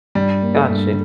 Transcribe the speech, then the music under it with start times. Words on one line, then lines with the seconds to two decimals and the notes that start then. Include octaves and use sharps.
Got you.
0.15 G2 G3
0.42 A#3
0.56 A3
0.70 G2